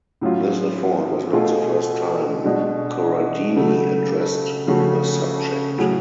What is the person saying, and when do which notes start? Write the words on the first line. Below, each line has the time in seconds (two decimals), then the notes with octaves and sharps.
This effort was not the first time Corradini addressed the subject.
0.21 A2 F#3 C#4 F4
1.33 B2 A3 F4 G#4
2.44 B2 G#3 D4 F#4
3.56 C#3 F#3 A3
4.67 C#3 F3 A3 C#4 F#4
5.78 A2 F#3 C#4 G#4